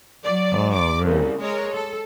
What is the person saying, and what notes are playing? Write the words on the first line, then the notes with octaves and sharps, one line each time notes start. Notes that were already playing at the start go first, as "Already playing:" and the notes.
Oh, man.
F#3 D5
D5 D6
C2 C#3
G#3 A#4 C#5
A4